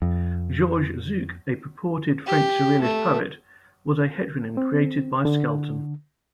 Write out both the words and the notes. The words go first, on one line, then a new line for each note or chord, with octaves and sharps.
Georges Zuk, a purported French surrealist poet, was a heteronym created by Skelton.
F2
G4
A3
C4
D3